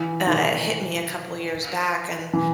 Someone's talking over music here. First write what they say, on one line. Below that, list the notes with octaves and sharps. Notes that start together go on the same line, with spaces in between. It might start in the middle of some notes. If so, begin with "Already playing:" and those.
I uh, hit me a couple years back and
Already playing: E3
D#3
E3